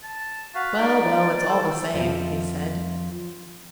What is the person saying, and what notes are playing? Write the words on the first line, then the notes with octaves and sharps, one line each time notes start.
"Well, well, it's all the same," he said.
A5
F#4 B4 F5
D#4 D5
A4 C5
F2 F3 F4 C5 D#5 E5